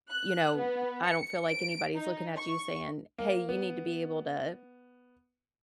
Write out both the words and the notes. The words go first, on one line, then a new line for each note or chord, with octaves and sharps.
you know, I don't feel like anybody's looking at you saying, "Hey, you need to be able to,"
F#6
B3
C#7
D7
D#4
C#6
A#3
B3